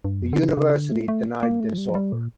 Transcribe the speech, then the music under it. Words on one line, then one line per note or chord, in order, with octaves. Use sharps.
The university denied this offer.
G2
F2
D3
C#3
C#3
D3
A3
A3
A#3
A3
F3
G3
F3
G3
A#2